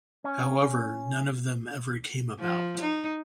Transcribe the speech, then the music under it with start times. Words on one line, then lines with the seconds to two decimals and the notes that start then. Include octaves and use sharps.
However, none of them ever came about.
0.24 C#4
2.40 F3
2.81 D#4